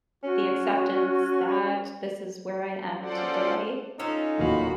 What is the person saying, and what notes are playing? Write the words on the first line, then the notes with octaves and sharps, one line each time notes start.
the acceptance that this is where I am today.
C#4 F#4
C#4 F4 A4 C5 D5 F#5
C#4 D#4 F4 A4
D1 A#2 F#4 F5 B5